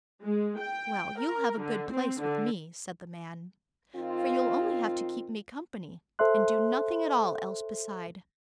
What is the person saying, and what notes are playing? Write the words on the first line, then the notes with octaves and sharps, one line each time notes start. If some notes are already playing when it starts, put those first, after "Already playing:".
"Well, you'll have a good place with me," said the man; "for you'll only have to keep me company, and do nothing at all else beside."
G#3
G5
A#4
D3
C4
D3
D#3 C4 F4
A4 C5 E5 C6 F#6